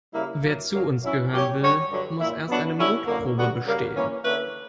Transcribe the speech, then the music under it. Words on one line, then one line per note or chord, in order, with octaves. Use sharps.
Wer zu uns gehören will, muss erst eine Mutprobe bestehen.
C#3 G3 A#3 E4
G2 F#3 A#3
G2 D3 F#3 A#3
F#3 C#4 E4
A#2 F#3 C#4 G4 C#5
G3 C#4 F#4 C#5
G2 D3 F#3
A#2 A#3 E4
F#3 B3 D4 F#4
D3 G3 C#4 E4
F#2 D3 A#3
D3 G3 B3 F#4
C#3 G3 A#3
E3 A#3 C#4
D3 A#3 C#4 E4 B4